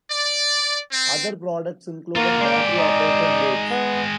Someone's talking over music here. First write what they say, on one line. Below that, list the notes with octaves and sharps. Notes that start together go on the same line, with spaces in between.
Other products included battery-operated boats.
D5
C4
A#3 F4 F#4
G#3 D5 G5
D#4
B3